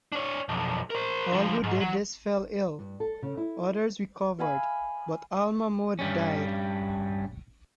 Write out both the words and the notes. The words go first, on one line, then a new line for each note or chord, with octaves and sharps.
All who did this fell ill. Others recovered, but Al-Ma'mun died.
D4 C#5
B1 F2
A#4 C5
D3 F3
G#2
F#3
G2
A4
C#3
E4
E5 F5 G#5 B5
G2 G3 C#4